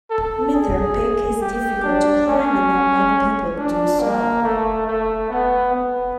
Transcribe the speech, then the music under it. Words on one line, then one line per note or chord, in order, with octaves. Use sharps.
Mitre Peak is difficult to climb and not many people do so.
A4
G#4
G4
D4
C#4
D4
A#3
A3
A3
B3
B3